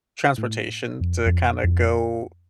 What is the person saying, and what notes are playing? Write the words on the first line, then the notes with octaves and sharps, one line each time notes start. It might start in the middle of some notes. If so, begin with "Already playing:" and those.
transportation to kinda go
A2
F2
F2
F2